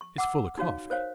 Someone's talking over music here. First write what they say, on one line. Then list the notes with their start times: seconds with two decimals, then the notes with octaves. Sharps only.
It's full 'a coffee.
0.01 C#6
0.18 F#5 D6 E6
0.58 D#4 F#4 C#5 F5
0.90 A#4 C5 C#5 F5